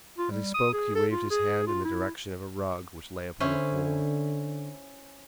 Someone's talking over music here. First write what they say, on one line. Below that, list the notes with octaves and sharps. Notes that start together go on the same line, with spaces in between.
As he spoke he waved his hand in the direction of a rug which lay upon the floor.
F4
G3
D#6
G#4
A4
F4
G#4
F4
E4
D3 C#4 E4 C5